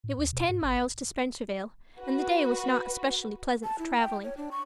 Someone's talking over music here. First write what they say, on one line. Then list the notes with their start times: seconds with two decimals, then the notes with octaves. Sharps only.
It was ten miles to Spencervale and the day was not especially pleasant for traveling.
0.04 A2
0.18 D#2
0.33 B2
0.49 G#2
0.63 G#1
1.98 F#4 B4
3.64 A5
3.79 E4
3.98 G5
4.24 C#5
4.37 D4
4.51 C#6